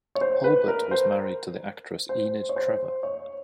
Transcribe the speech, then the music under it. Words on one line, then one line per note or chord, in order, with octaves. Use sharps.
Hulbert was married to the actress Enid Trevor.
C#5
C5
B4
A#4
C5
C5
C#5
C5
C#5